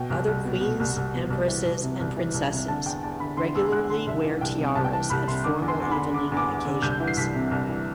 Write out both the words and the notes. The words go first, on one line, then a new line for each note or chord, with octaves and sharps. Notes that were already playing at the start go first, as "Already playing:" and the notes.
Other queens, empresses, and princesses regularly wear tiaras at formal evening occasions.
Already playing: B2 G5
C2
C2
B2
B2
C2
C2
B2
C2
E3
C2
C3
C2
E3
C2
C3
D3 A5
E2 G5
E2 A5
D3 B5
D3 C6
E2 E6
E2 F#6
D3 C6
C2 E5
E3
C2 G5
C3
C2 A5
G5
E3 A5
C2 B5
C3 C6
D3 D6
E2
C6
E2
B5
D3
D3 D6
E2
D6
E2
D3
C2 G6
E3
C7
C2 B6
C3
C2
E3